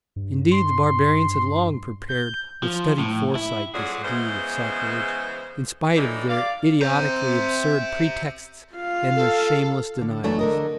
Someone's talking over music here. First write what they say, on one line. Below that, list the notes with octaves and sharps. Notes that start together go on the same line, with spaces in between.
Indeed the barbarians had long prepared with studied foresight this deed of sacrilege, in spite of their idiotically absurd pretexts and their shameless denials.
G2
C6
G6
F3
A2
E4
F2 F#3 G#4 D5 F#5
C#3 E3 G#3 B3 C5
A2 D3 E3 F#3 A3 D#4
D5 F5
C4 E5 A#5 G6
F4 F5
A4
D3
E3 F#3 A3 B3 D4 E4
D3 A#4 D#5